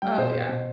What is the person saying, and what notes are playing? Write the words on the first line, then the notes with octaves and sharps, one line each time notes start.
Oh, yeah.
G3 G5
B2 C5
B2 C5
B2